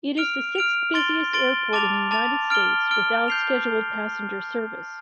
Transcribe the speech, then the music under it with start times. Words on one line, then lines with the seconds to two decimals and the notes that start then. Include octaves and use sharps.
It is the sixth-busiest airport in the United States without scheduled passenger service.
0.17 F6 D7 F7
0.55 F6 D7 F7
0.94 C6 A6 D7 G7
1.33 C6 A6 D7 G7
1.73 A5 D6 A6 F7
2.11 A5 D6 A6 F7
2.50 F6 D7 G7
2.90 F6 D7 G7
3.28 G6 C7 F7